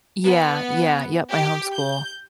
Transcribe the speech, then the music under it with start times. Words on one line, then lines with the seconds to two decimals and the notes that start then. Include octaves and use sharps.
Yeah, yeah yep, I homeschool.
0.25 B3
1.30 G4
1.73 G6